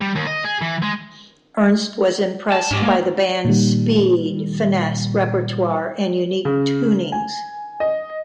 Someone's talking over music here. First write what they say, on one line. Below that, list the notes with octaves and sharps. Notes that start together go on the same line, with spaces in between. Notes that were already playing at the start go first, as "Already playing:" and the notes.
Ernst was impressed by the band's speed, finesse, repertoire and unique tunings.
G3
D#2
D#5
G#4
E3
G#3
A5
G#2 C#4 G4
G#3 A#3
A#2 D#3 G3
C#3
G#5
D#5